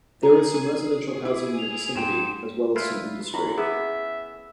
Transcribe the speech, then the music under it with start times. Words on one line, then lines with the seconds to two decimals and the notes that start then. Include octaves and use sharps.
There is some residential housing in the vicinity, as well as some industry.
0.23 G#4 A#5
1.25 E4 D6
1.58 F7
1.95 G#2 G5 E7
2.76 E4 F4 B4
3.34 F#2 E4 B5
3.58 B3 C#4 G#4 E5